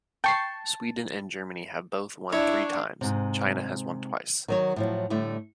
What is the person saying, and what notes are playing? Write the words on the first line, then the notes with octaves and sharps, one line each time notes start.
Sweden and Germany have both won three times, China has won twice.
G5 A5 C#6 C7
D4 E4 C#5
G#2 C3
D#3 F#3 C#5
A2 F3 F#3
A2 D3 G3 A3